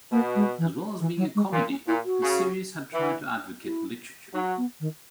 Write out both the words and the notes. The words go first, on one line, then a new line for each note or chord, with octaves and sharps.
As well as being a comedy, the series had tried to advocate literature.
B2 A#3
G#3
E3
E3
F#3
G#3
A#2 E3
C#4
A#2 E4
F#4
C#3
E3
E4
F#3 D#4
B3
D#3